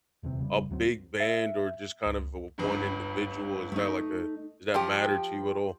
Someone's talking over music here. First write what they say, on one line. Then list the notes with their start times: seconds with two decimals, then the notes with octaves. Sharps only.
a big band or just kind of the one individual? Is that like a Does that matter to you at all?
0.23 D#1 E2 C3 C4
0.40 F1 C#3 G3
0.70 D2 F#3 C4
1.20 E5
2.06 C#2
2.58 G1 C#2 G2
3.72 A3 D#4
4.74 F3 G4